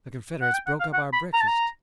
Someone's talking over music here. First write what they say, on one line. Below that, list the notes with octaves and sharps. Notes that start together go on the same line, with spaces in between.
The Confederates broke up our breakfast.
F#5
G5
F#5
F5
F#5
B5
A#5
A5
A#5